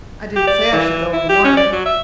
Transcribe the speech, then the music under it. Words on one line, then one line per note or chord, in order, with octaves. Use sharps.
I didn't say I should go in the morning....
G4
D5
E3
E4
G4
C#4
D5
F#3
E5